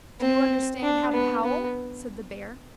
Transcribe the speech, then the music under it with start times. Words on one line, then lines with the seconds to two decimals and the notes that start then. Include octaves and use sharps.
'Do you understand how to howl?' said the bear.
0.20 C4
0.83 D4
1.13 B3
1.44 B3